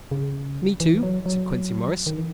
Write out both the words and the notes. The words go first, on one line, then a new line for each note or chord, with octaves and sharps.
"Me too?" said Quincey Morris.
C#3
E3
F#3
F#3
D#3
E3